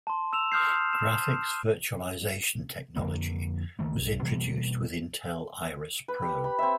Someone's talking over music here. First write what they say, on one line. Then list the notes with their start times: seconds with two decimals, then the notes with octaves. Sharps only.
Graphics Virtualization Technology was introduced with Intel Iris Pro.
0.07 A5 C6
0.33 E6 E7 F7
0.52 C6 D#6 F6 G6 C7
0.93 E7
2.96 F2 D3 A#3
3.79 C#2 D#3 A3 A#3
3.98 B1
4.22 B2 E3 G3 A#3
6.08 B4
6.22 G4
6.44 B5
6.59 C4 C#5 E5